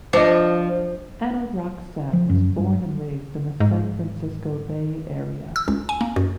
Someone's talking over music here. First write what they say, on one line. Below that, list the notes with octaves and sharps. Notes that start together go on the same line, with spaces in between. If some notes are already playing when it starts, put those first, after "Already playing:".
Ana Roxanne was born and raised in the San Francisco Bay Area.
F3 D4 D#5
F3
F#2
G2
G#2
E6
C#2
G#5
A#3
F#2